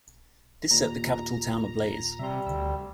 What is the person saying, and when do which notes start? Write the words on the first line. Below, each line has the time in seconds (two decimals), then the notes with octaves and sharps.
This set the capital town ablaze.
0.71 D#2 A#2 A#5
2.19 C3 G3 E5 C6
2.47 D2 E6